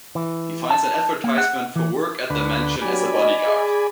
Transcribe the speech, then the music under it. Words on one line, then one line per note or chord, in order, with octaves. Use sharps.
He finds an advertisement for work at the Mansion as a body guard.
E3
A5
A#3
F#5
E3
D2 D3 B4
F#3 B3 D4 F#4 G4 D5 G#5 B5
D#5
G#4